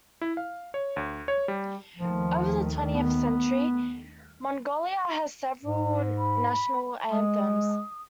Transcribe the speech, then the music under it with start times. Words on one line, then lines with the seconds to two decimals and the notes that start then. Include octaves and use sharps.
Over the twentieth century, Mongolia had several national anthems.
0.21 E4
0.37 F5
0.74 C#5
0.96 D2
1.28 C#5
1.48 G3
1.97 D#2 D#3 F3 A3
2.93 B3
5.65 G#2
6.18 B5
7.12 G#3 D#6